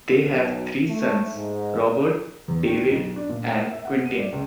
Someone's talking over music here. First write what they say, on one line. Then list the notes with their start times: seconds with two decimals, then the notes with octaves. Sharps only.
They have three sons: Robert, David, and Quentin.
0.23 B1
0.87 A3
1.34 G#2
2.48 E2
2.64 D#3
2.90 B1
3.16 D4
3.29 A#2
3.46 A#5
3.59 A#4
3.71 E5
3.85 F#5
4.06 D#7
4.20 D5
4.32 C#2